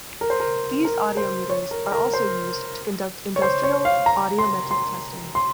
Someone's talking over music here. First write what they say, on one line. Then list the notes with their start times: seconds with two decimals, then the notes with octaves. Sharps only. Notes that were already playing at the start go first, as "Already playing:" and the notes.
These audiometers are also used to conduct industrial audiometric testing.
0.21 A#4
0.30 C5
0.40 A#4
0.85 A#4
1.17 C5
1.50 C#5
1.71 A#4
1.92 A#4
2.13 C5
3.36 C#5
3.42 C5
3.63 C#5
3.85 F5
4.06 A#5
4.38 C6
4.71 C6
5.35 C6